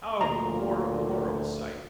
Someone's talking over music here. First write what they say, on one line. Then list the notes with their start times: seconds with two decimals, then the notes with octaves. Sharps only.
O! a horrible, horrible sight!'
0.21 D2 A#2 A#5